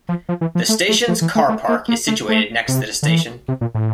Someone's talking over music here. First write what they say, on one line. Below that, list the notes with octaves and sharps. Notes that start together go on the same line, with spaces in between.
The station's car park is situated next to the station.
F3
F3
E3
F3
A3
A3
F3
E3
A3
A3
A#3
A#3
A3
A3
C3
D3
E3
C3
A#2
A2